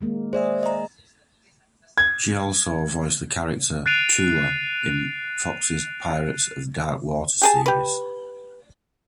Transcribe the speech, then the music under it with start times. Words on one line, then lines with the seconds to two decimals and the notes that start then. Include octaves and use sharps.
She also voiced the character Tula in Fox's "Pirates of Dark water" series.
0.01 D#3 G#3 A#3
0.33 G#4 C5 D5 E5
0.63 D#5 A#5
1.98 G#6
3.86 F#6 A6 C7 D7 D#7 F7
7.41 G4 G#4 A5
7.66 G4 B4